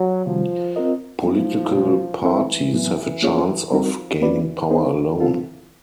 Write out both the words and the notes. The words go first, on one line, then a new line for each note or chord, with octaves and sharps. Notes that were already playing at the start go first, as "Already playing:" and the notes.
Political parties have a chance of gaining power alone.
Already playing: F#3
C3 D#3 F3 G3
C4 F4 A#4 D#5
F3 F#3 B3 E4
B2 G#3 C#4
E3 C4 E4 A4 C5 E5
A2 E3 F#3 B3
A#3 C#4 F4 G#4 C#5
F3 G3 C4 D#4 F#4 A#4
E3 A#3 C#4 F#4 B4 D5
B3 D#4 G#4 C5
C4 F4 A4